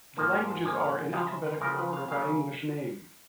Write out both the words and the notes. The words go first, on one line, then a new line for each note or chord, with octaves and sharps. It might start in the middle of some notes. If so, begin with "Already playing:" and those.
The languages are in alphabetical order by English name.
G#2 F3 A#3 A5
A#5
A5
G#2 F3 A#3 G#5
F5
F#5
C#3 F3 G#3 F5
E5
B4
C#3 F3 G#3 A#4
B4
F5
C#3 F#3 A#3 D#4 F5